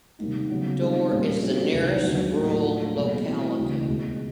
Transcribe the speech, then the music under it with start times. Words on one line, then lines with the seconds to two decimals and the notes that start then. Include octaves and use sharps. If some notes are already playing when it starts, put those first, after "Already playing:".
Dor is the nearest rural locality.
0.19 C3 D#3 G3 A#3 D#4
0.50 C#3 F#3 B3
0.81 D#3 G3 C4 D#4 G#4
1.12 A#2 G3 A#3 C#4
1.42 F3 A#3 C#4 F#4
1.73 C2 C3 D#3 G#3
2.03 D#2 D3 F#3 A#3 D#4
2.33 A2 F#3 A#3
2.65 F3 A3 D4 F4
2.95 B2 G3 A#3
3.26 E3 A3 C4 E4
3.56 D2 C#3 E3
3.87 C#2 B2 G#3